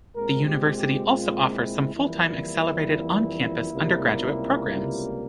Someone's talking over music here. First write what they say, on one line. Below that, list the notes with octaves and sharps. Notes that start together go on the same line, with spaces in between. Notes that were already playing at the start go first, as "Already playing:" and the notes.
The university also offers some full-time accelerated on-campus undergraduate programs.
A#2 G#3 C4 A#4
G4
G4
F4
E4
F2 E3 G3 A#3 E4
C#2 C3 G3 A#3